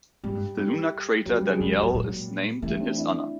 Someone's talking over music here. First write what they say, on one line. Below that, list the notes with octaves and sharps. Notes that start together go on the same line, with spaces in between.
The lunar crater Daniell is named in his honour.
G#2 G3
G2
G3
F#2 F#3
G3
F#3 G#3
G2 G3
F#2
F#3
A2
A#2
E3 G3 A3
C4 D4
D4 E4